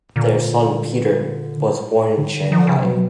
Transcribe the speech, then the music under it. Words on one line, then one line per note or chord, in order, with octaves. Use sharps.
Their son, Peter, was born in Shanghai.
A#2 D3
D3
D#3 F3
D3
C#3
C3
B2 F#3